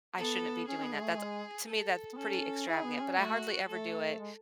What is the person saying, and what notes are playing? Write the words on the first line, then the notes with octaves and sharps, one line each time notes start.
"I shouldn't be doing that," that's to me, that's pretty extravagant, but I hardly ever do it,
B3 A4
C#4 G#4
C#4
B3
G#3
A3
G#3
A4
B3
C#4 A4
E4 G#4
B3
C#4
A3 F#4
A3 A4
G#3